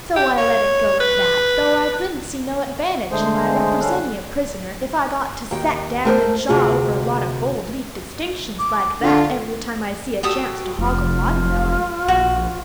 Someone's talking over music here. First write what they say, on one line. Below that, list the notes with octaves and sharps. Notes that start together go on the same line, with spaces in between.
So I let it go at that, though I couldn't see no advantage in my representing a prisoner if I got to set down and chaw over a lot of gold-leaf distinctions like that every time I see a chance to hog a watermelon.
G4
C#5
B4
D3 G#3 A3 G#4 C5
D3 G3 C#4 A4 F5 F#6
D#2 G5
A3 A#4 C5
D2 C3 F4 G#4
D6
D3 F4
F#4 G4 A4 D#6
F1 F4
A#1 F#4